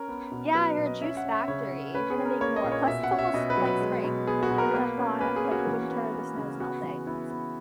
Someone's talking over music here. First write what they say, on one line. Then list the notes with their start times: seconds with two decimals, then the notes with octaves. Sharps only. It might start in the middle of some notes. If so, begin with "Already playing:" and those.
Yeah, you're a juice factory. You're gonna make more. Plus it's almost, like, spring. Like you're gonna thaw, like, the winter, the snow is melting. It's
Already playing: C#4 A#4
0.08 B3
0.32 B2
0.55 F#3 B4
0.78 B2
0.86 D#5
1.01 C#4 E5
1.17 F#5
1.25 C#4
1.32 E5
1.48 C#3 C#5
1.71 C#4
1.95 C#4 B4
2.10 G#4
2.18 C#4
2.25 A#4
2.41 A#3 C#5
2.56 D#5
2.64 A#2
2.72 C#5
2.88 B2 E5
3.03 F#5
3.11 C#4
3.19 E5
3.34 B2 D#5
3.50 B4
3.57 F#3
3.65 B4
3.81 G#3
4.04 B2
4.27 B3 G#4
4.43 F#4
4.51 B2
4.58 A#4
4.74 A#3 B4
4.97 C#4
5.20 A#3 B4
5.36 G#4
5.44 C#4
5.51 F#4
5.67 E3
5.90 B3
6.14 B3
6.37 C#3
6.60 B3 F#4
6.83 E3
7.07 B3 E4
7.31 B3